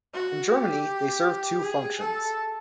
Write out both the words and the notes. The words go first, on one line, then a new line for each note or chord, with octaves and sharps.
In Germany, they serve two functions.
F#4
G4
G#4
A4